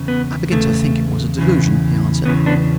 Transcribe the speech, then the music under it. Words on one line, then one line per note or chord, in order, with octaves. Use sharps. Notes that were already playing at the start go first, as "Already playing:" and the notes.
"I begin to think it was a delusion," he answered.
Already playing: E2 C#3
B3
E2 C#3 A3
E2 C#3 E3
E2 C#3 E3 B3
B3 D4